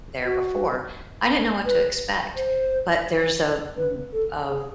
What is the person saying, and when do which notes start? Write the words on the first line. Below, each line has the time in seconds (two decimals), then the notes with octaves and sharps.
there before, I didn't know what to expect, but there's a m a
0.25 F#4
1.65 B4
2.36 C5
3.77 B4
4.13 A4
4.48 G#4